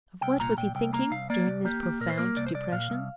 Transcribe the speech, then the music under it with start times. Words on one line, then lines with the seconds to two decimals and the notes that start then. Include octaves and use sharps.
Of what was he thinking during this profound depression?
0.21 C2 G5
0.40 A#2 A#5
0.57 A#2 G5
0.75 C2 G5
0.93 A#3 A#5
1.11 C2 F5
1.30 A#3 D5
1.47 C2
1.65 A#3 G4
1.83 A#3
2.00 A#2 A#4
2.10 C5
2.18 A#3 A#4
2.37 C2 D5
2.47 C5
2.55 C2 D5
2.72 A#2 F5
2.90 C2